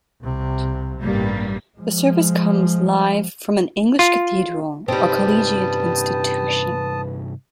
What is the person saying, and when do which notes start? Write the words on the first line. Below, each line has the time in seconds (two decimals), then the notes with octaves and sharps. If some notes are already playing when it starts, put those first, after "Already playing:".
The service comes live from an English cathedral or collegiate institution.
0.22 C2 C3
1.02 A1 G2 G3 A#3
1.79 F3 G#3
3.99 F4
4.88 G2 C3 G3 C4 D#4 B4 A5 D#6